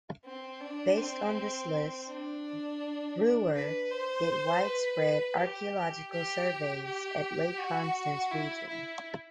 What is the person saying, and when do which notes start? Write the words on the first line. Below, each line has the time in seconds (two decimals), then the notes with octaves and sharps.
Based on this list, Breuer did widespread archaeological surveys at lake constance region.
0.25 C4
0.61 D4
0.97 C4
2.07 D4
3.55 B4
3.90 C5
4.65 B4
5.38 G4
6.11 G4
6.85 G4
7.58 F#4
8.31 E4
8.68 E4